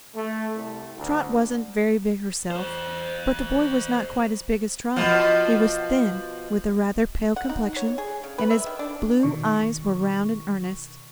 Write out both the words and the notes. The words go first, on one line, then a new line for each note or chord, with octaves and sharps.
Trot wasn't very big herself, but the boy was not quite as big as Trot. He was thin, with a rather pale complexion and his blue eyes were round and earnest.
A3
C2
D2
A4 C5
B2 F3
F#5
D#4
C#5
G#4
C#3
B4
E5
D#3
D4
B2 D#3 C#6